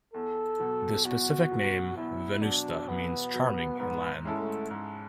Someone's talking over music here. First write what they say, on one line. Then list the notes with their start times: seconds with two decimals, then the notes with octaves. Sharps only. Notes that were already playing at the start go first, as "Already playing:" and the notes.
The specific name, "venusta", means "charming" in Latin.
0.14 E2 A4
0.59 B2 F#3
1.05 E2 F#4
1.51 B2 F#3
1.97 E2 E4
2.42 B2 F#3 D4
2.88 E2 B3
3.34 B2 F#3
3.79 G#2 B3
4.25 G#3 C#4 E4 A4
4.40 A3
4.71 G#2